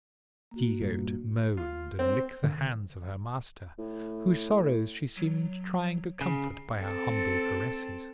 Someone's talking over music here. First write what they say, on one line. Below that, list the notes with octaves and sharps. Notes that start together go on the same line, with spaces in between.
The she-goat moaned and licked the hands of her master, whose sorrows she seemed trying to comfort by her humble caresses.
A#3 F#4
G2 A#2
F4
C4
D3
A2
F#3
C#3
C4 A4